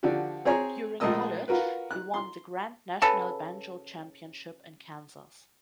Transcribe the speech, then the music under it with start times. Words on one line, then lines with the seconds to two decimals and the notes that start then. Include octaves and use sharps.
During college, he won the Grand National Banjo Championship in Kansas.
0.03 D3 F3 D4 F#4 G4
0.45 C4 G#4 C#5 G#5 A#5
1.00 A#1 G#3 A3 A#4 D#5 E6
1.48 F4 F#4 A#4 B4
1.91 F#6
2.14 C6
3.02 C#3 A4 B4